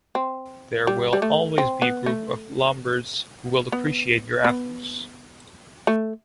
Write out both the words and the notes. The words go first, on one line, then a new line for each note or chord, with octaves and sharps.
There will always be a group of Lombards who will appreciate your efforts.
C4
G3
G3
A3
C4
B3
A3
B3
B3
A3